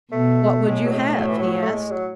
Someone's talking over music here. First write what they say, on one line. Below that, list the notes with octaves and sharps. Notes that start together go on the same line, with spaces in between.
"What would you have?" he asked.
B2 A3
A2 G#3
F#3
G#3
F#3
E3
F#3
A3
G#3
F#3